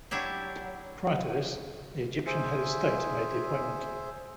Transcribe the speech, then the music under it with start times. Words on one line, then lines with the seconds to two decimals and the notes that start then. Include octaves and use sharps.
Prior to this, the Egyptian head of state made the appointment.
0.11 F#3 D4 E4 G4 C#5
2.26 G#4 C5 E5